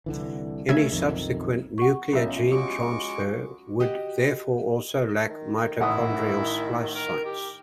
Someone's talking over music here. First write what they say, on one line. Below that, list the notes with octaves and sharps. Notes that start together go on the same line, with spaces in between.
Any subsequent nuclear gene transfer would therefore also lack mitochondrial splice sites.
C2 D3 E3
C#3 A3 D4 E5 G#6
B1 F2 D#3
F#5 C#6
B1 C#4 F4 D#5 E5
G#3 F#4 G4 C#6 D6
F#4 G4 D#5
D#3
A1 E4 F#5 D#6
A#4
G4